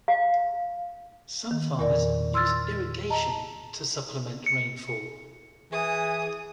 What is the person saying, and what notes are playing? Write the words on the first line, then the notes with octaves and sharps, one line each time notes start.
Some farmers use irrigation to supplement rainfall.
F5
D#3
E2 A#2 A#4 D5
C6 E6 F6 G#6 A6
D#5 A5 A#5
C#7
E3 G#4 D#6